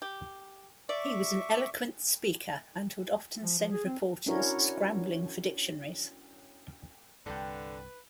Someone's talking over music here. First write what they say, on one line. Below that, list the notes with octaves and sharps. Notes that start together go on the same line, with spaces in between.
He was an eloquent speaker and would often send reporters scrambling for dictionaries.
G4
D5 E5 C#6 D6
F3
F3
G#4
C4
C#4 D4 E4 F#4 A#4 C#5
C2 G2 D3 A4 B4 F#5 G5